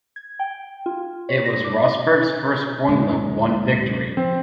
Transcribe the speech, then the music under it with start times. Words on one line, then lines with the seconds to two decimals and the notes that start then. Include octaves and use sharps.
It was Rosberg's first Formula One victory.
0.16 G#6
0.39 G5
0.86 F4
1.29 C#5
1.45 A#6
1.64 D6
2.88 D1 G#3 A#3
4.17 F3 C4